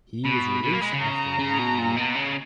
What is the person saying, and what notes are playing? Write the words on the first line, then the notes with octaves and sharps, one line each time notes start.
He was released after one year.
B2 B5
B2
A#3
G#3
C#3
A#5
C#3
B2
A#2
B2
C#3